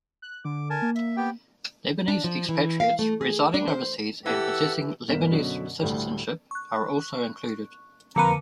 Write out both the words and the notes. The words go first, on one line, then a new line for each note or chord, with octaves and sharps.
Lebanese expatriates residing overseas and possessing Lebanese citizenship are also included.
F#6
D3 D6
A#4 G#5 A5
A#3
E5
B3 G4 G5
D4
F3
E3
F5
A3
G#4
D4
C5
E3 G4 A4 F#5 E6
G1 B2 A#3 B6 E7
F#2 B2 D3 F#3
D2 A2 G3
C#6 F#6
F2 D3 A#3 B4 A#5 C#7 D#7